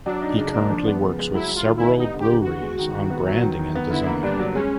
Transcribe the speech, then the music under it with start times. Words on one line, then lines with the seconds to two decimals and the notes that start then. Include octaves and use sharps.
He currently works with several breweries on branding and design.
0.06 F#3 D4
0.22 D#4
0.38 C#3
0.54 A#3
0.70 F3
0.86 B3
1.02 C#3
1.18 G#3
1.34 F#3 E4
1.50 E4
1.56 F4
1.67 D#3
1.77 B3 E4
1.98 G3 D#4
2.14 D3
2.20 G4
2.31 D3
2.41 F#4
2.47 B3
2.62 G#3
2.79 D#3
2.95 D#3
3.10 B3
3.27 F#3
3.43 D#3
3.59 D#3
3.75 B3
3.91 D3 E4
4.07 A#3
4.23 G2 D4
4.39 F#3
4.55 G#3 C#4